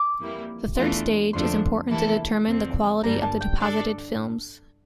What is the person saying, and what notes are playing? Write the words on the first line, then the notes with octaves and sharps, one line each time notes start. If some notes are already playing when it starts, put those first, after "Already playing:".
The third stage is important to determine the quality of the deposited films.
Already playing: D6
F2 E3 G3 A#3 E4
E2 E3 A3 D4 F4
F2 D3 F3 A3 D4 C6
C3 E3 A#3 E4 A4
E2 D3 F3 C4
G2 D3 G3 A#3 D4 A#5
A5
G5
D4 A4 D5 A5